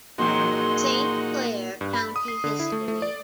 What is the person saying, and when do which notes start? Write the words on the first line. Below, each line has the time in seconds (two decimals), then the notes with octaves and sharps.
Saint Clair County History.
0.18 E2 A#2 F#3 G#3 D#4 F#4 C6
1.81 G2
1.93 B5
2.16 D#6
2.28 C7
2.44 D3
2.59 E4
2.72 A3
2.88 A3
3.02 D5